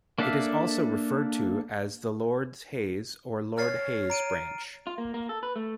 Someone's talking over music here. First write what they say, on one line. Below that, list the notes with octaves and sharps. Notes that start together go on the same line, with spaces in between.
It is also referred to as the Lords Hayes or Lord Hay's branch.
A#3 D4 A4 E5 F5
C#5 F6 A6 C7
A#5 D7 D#7
F4
A#3
A#3
A4
B4
A3